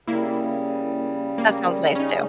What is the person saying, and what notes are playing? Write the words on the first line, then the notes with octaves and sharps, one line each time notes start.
That sounds nice too.
C#3 G3 A#3 E4
A#3
C#4 D#4